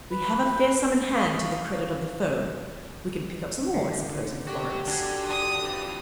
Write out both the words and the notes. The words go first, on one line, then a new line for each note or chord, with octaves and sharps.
We have a fair sum in hand to the credit of the firm; we can pick up some more, I suppose, in Florence.'
B4
F5 C#6 D#6
D3
D#3
F#4 G4 C#5
D3 D4 F#4 G#5
D#6
F2 E3